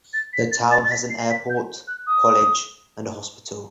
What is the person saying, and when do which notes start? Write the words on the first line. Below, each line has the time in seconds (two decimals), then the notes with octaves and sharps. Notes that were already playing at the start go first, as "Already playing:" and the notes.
The town has an airport, college, and a hospital.
0.13 A6
0.33 B6
0.51 A6
0.71 A6
0.84 A6
0.90 B6
1.09 C7
1.30 B6
1.49 G6
1.87 F#6
2.06 D#6